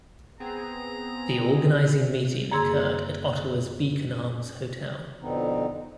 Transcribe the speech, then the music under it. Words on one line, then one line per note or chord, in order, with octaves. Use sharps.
The organizing meeting occurred at Ottawa's Beacon Arms Hotel.
B3 C4 G#4 A#5
F#2 A#3 G#4 C6 E6 G#6
F2 B2 D3 B3 C4 D#4